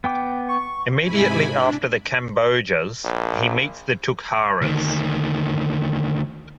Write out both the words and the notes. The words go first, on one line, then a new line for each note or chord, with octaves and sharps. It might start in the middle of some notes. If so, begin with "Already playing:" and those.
Immediately after the Kambojas, he meets the Tukharas.
B3 G5 D6
C#6
G#2 C3 E4 G#5 B5
D4
A#1
D2 D#3